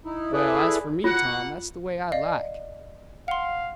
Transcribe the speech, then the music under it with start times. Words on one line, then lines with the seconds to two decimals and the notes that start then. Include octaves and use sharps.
"Well, as for me, Tom, that's the way I'd like."
0.05 D#4 E4
0.33 E4 G#4 A4 B4 D5 E5
1.04 A#3 F4 F#5
2.12 D5 D#5 F5
3.28 F5 F#5 C6